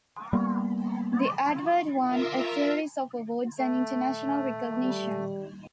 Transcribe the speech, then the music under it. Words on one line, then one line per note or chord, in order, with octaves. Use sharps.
The advert won a series of awards and international recognition.
G3 A#3 B3
F4 A#4 E5
A3
G3